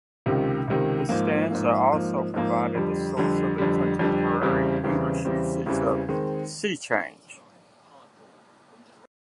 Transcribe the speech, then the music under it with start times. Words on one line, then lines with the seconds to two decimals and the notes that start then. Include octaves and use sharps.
This stanza also provided the source of the contemporary English usage of "sea change".
0.26 C#2 C3 D#3
0.68 C#2 C3 D#3
1.09 G#2 F3 A#3
1.50 G#2 F3 A#3
1.92 G#2 F3 A#3
2.34 G#2 F3 A#3
2.75 F2 D3 G3
3.17 F2 D3 G3
3.58 F2 D3 G3
3.99 F2 D3 G3
4.41 E2 C#3 E3 G3 C4
4.83 E2 C#3 E3 G3 C4
5.25 E2 C#3 E3 G3 C4
5.66 E2 C#3 E3 G3 C4
6.09 D#3 G#3 C4